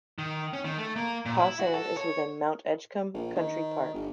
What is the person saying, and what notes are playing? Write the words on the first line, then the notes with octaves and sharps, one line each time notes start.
Cawsand is within Mount Edgcumbe Country Park.
D#3
C#4
D#3
A3
A#3
A#2
E4
F#4
A4
C#5
A#1
D#3
G1